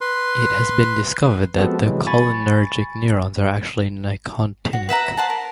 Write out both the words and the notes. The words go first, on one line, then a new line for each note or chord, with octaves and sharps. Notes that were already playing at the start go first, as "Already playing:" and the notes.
It has been discovered that the cholinergic neurons are actually nicotinic.
B4 C6
F3 G#3 B3 C4 F#4 A4
C3 E3 F#3 G#3
G#5 B5 C#6 A6
F#4
B4 E5 F#5 A#5
C5 F#5 A5
A#4